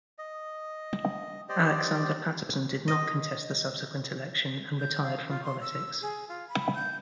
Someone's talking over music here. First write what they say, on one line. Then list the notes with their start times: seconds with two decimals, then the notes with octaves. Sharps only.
Alexander Paterson did not contest the subsequent election, and retired from politics.
0.19 D#5
1.49 G4 C5 D5 D#5
2.88 D#5
4.79 G6
5.04 F5
5.29 F4
5.44 C6
5.61 E6
6.02 G#4
6.29 F4
6.49 B5
6.75 G6